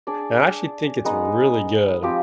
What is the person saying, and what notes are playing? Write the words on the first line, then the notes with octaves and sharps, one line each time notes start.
and I actually think it's really good,
D4 G#4 D5
G#3 B3 D#4 B4
F3 C4 G4